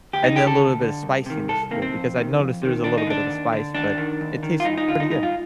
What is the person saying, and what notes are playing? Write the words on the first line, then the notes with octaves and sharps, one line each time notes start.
and then a little bit of spiciness to it, because I noticed there's a little bit of a spice, but it tastes pretty good.
D2 G4
D#4
D3 G4
A4
D2
D3
C2
C3 D#3
C2 A4
C3 D#3 A#3
C4
F2
C3 D#3
F2
C3 D#3
D#2 D4
D#4
D3 D4
D#2
D3
D#2 D4
D#3
D#2
D#3
F4
G2 D#4
D#4
D3 F4
D#4
G2 D#4
F4